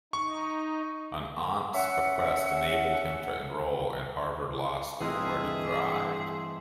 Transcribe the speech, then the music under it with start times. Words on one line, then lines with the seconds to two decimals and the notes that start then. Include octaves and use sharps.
An aunt's bequest enabled him to enroll in Harvard Law School, where he thrived.
0.13 D#4 C#6
1.75 C#4 E5 F#5
5.01 G2 E3 A3 C4 F4 G#4 D#5 E5